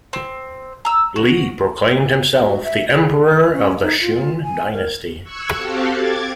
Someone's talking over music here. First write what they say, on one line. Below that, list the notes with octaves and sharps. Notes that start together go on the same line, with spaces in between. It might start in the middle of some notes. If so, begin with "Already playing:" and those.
Li proclaimed himself the Emperor of the Shun dynasty.
C4
A#5 E6
F#4
F#4
E5
G#4
B4
C#4
D#4
F4
G#5
A#4
C#6 E6 F#6 G#6 C#7
C4 F#4 G4 A4 F5 F#5
D6 G#6 A6